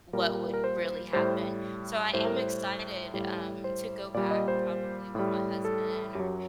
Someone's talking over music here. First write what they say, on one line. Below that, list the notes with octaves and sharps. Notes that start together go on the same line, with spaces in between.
what would really happen, so I am excited, um, to go back probably with my husband or
A#2 G3 A#4
A#4
C5
A2 G3 C5
A2 G3 C5
A#4
C5
A2 G3
C5
A#2 G3 D5
D#5
C5
A2 G3
A4
F#2 F#3 G4